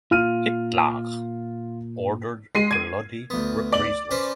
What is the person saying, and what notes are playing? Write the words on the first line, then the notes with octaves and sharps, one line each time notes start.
Hitler ordered bloody reprisals.
A#2 F4 F6 D#7
G#3 C7 D#7
G#6 D#7
D2 B3
D5 F#7
C#4 B4 C5